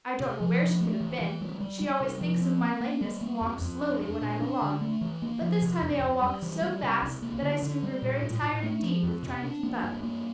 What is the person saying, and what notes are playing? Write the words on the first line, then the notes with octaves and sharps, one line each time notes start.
I don't know where she could have been; she always thinks of my lameness, and walks slowly when I am along, but this time they all walked so fast that I soon grew very tired, indeed, with trying to keep up.
C3
F3
D4
A3
E3
E3
G3
G3
G3
C3
F3
C4
A#3
A#3
G3
A#3
F2
F2
D4
D4
A#2
D4
D3
A3
E3
A#3
F3
C3
F2
F2
G3
E3
G3
C3
C2
A#3
D3
D3
G3
A#2
A2
A2
A3
F3
F2
C3
D4
A#3
G2
A#3